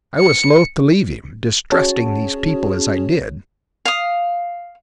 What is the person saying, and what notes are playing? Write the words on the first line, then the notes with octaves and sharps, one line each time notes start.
I was loath to leave him, distrusting these people as I did.
C#7
C#4 F#4 G#4 C#5 A5
F5 D#6